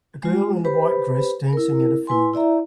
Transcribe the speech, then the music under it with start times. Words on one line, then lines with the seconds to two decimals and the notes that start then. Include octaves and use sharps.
A girl in a white dress dancing in a field.
0.23 G#3 F4
0.65 G4 B4 C5 B5
1.53 E4 A#4
2.07 E4 B4 G#5 C6
2.34 E4 D5 E5 A#5